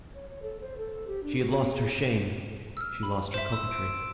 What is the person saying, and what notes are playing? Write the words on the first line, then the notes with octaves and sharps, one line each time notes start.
She had lost her shame; she lost her coquetry.
C#5
C#5
A4
C5
A4
G4
D4
F#4
B3
G#4
E6 F6
B5
C5 E5 C6 E7
E6
D7